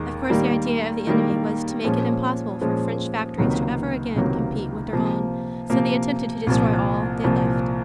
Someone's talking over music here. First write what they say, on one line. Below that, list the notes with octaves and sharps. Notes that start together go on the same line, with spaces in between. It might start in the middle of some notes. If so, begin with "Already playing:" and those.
Of course, the idea of the enemy was to make it impossible for French factories to ever again compete with their own so they attempted to destroy all they left.
Already playing: D#2 D#3 G#3
D#3 G3 A#3
D#3 G3 A#3
A#2 F3 G#3 C#4
A#2 F3 G#3 C#4
C#2 C3 D#3 F#3 A#3
C#2 C3 D#3 F#3 A#3
C3 F3 A#3
C3 F3 A#3
C2 A#2 F3
C2 A#2 F3